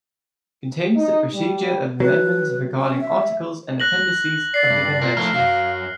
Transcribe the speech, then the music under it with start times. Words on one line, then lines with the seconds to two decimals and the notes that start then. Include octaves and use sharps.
Contains the procedure of amendments regarding articles and Appendices of the Convention.
0.96 D#4
1.34 G3
2.00 F#3 B4
2.78 C#4
3.01 E5
3.80 F#6 A#6 F#7
4.54 D5 C7
4.70 G2
5.02 F4 A#4
5.17 F3 A3 A#5 F6
5.34 F#2 F#3 F5